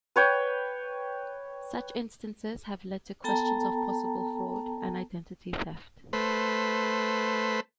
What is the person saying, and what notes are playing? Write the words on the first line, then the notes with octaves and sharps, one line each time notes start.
Such instances have led to questions of possible fraud and identity theft.
B4 C#5 G5
B3 A4 G5 A5 A#5
A3 B4 C5